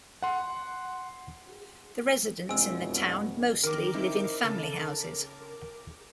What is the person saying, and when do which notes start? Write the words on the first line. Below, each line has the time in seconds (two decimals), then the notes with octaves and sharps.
The residents in the town mostly live in family houses.
0.22 F#5 C6
2.49 E1 F2 B2 G#3 C4 G#5 E6
3.64 D#3 A#4 D6
3.94 C4 D#4 E4
4.43 C#3 A4